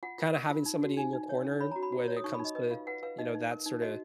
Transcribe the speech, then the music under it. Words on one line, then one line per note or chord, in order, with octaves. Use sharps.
Kinda having somebody in your corner when it comes to, you know, that sorta
F4 F#5
F4
A#4
F4
D#4
F#4
D#4 G#5
D#4
C#5
C#4
C#5 B5
F#4 A#5
B5
F#4
C#5
D#6
D#4 C#6
B5
D#4
D#5
B4 D#5
F4 F5
B4 F#5
B4 F5
D#4 D#5
D#4
A#4
D#4
F#4 D#5